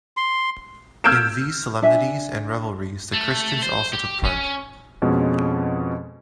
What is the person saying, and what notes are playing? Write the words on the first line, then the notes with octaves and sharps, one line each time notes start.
In these solemnities and revelries the Christians also took part.
C6
E6 F6 G6 G#6 D7 E7
D4 E5 G#5
A3
C5
G4
C#4
F2 B2 G#3 C#4